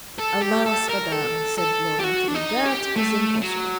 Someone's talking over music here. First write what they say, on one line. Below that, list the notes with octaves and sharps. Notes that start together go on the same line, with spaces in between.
"Alas, Madame!" said Lord Antony, "that is impossible."
A4
G4
A4
A#4
A4
A4
G4
F#4
D4
D#4
G4
A3
F#3